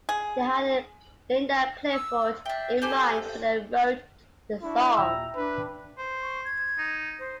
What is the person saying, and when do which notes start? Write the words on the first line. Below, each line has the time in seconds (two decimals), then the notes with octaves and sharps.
They had Linda Clifford in mind when they wrote the song.
0.09 G#4
1.93 E6
2.46 D4 E5 G5
2.82 G4 A4 C5 G#5
4.62 D4 E4 F#4
4.97 D#2 A#2 E5 G5 A#5 E6
5.35 D4 B4
5.98 C5
6.22 C#6
6.44 G#6
6.78 D#4
7.19 C5